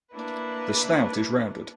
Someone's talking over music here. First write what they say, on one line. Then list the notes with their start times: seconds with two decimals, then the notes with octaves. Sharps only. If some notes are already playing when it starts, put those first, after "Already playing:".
The snout is rounded.
0.15 A#3 D4 E4 B4